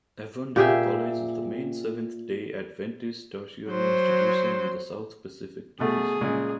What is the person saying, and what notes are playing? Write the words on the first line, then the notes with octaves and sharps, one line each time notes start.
Avondale College is the main Seventh-day Adventist tertiary institution in the South-Pacific Division.
A#2 G4 G#4 E5
F#3 C5
B2 A3 G#4
A#2 C#3 G#3